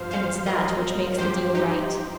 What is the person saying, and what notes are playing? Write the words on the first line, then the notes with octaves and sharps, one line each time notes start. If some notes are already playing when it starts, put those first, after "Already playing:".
And it's that which makes the deal right.
Already playing: G2 F3 C5 F5
C5 F5
A#4 D#5
G2 F3 G4 C5
D#4 G4